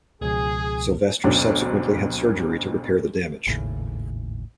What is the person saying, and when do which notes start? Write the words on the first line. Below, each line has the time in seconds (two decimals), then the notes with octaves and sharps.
Silvestre subsequently had surgery to repair the damage.
0.21 C#2 B2 F3 G#4
1.24 F#1 D2 B2 F#3 C4 D4
3.47 G#1 D#2 A2 C#3